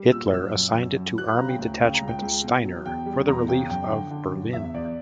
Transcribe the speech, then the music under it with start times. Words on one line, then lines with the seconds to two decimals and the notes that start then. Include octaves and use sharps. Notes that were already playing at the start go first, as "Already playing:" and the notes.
Hitler assigned it to Army Detachment Steiner for the relief of Berlin.
Already playing: G3
0.12 A#2 E6
0.33 F#2 E6
0.54 F#2
0.75 F#2
0.96 F#2
1.18 F#3 F#6
1.28 B5
1.38 C#3 A#5
1.48 G5
1.59 D2 G5
1.80 C#3 G5
1.94 A#5
2.02 C#2
2.08 G5
2.22 C#2
2.43 B2
2.65 F#3
2.86 E2 G5
3.06 G3
3.27 E2 A#5
3.48 C#3 G5
3.69 F#2 G5
3.90 D3
4.11 D3
4.32 F#2
4.53 E2 E5
4.64 E5
4.74 E2 D5